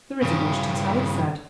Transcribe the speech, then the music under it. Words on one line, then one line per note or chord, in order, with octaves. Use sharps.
"There isn't much to tell," he said.
G2 C#3